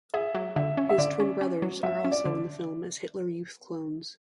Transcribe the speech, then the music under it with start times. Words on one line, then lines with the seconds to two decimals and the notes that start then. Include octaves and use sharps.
His twin brothers are also in the film as Hitler Youth clones.
0.14 G#4 E5
0.35 F#3
0.56 D3 E5
0.77 C#4
0.89 E5
0.98 D3 D5
1.20 C#4
1.41 C#4
1.62 F#3
1.83 F#3 E5
2.04 C#4
2.12 D5
2.25 D3